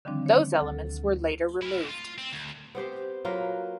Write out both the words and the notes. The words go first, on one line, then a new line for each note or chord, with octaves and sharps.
Those elements were later removed.
D3 D#3 F3 G3 C4 D4
C#5
D2 A4 A6
E4 A#4
C#2 A2
F4
C4
D2
B3 C4 G4 C5
F#3 A#3 F4 B4